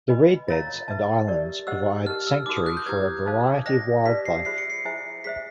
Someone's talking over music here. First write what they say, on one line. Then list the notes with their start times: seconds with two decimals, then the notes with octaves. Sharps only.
The reed beds and islands provide sanctuary for a variety of wildlife.
0.08 B4 D#5 G#5 B5
0.48 F4 A#4 C#5 F5 A#5 A6
0.88 B4 E5 A5
1.27 G4 A#4 D5
1.67 G4 C5 D#5 F#5 E6
2.06 D#4 G4 A#4 F6
2.27 E6
2.46 D#4 F#4 A#4 D6
2.57 D#6
2.66 F#6
2.77 G6
2.86 E4 G4 B4 G#6
3.26 D#4 G#4 C5 F5 A5
3.66 C5 D#5 G5 A#6
4.06 D#4 G4 B4 D5 B6
4.25 C7
4.45 F4 G#4 C5 E5 C7
4.58 C#7
4.70 C7
4.85 E4 G#4 C5 E5 G#5
5.24 G#4 C5 E5 B6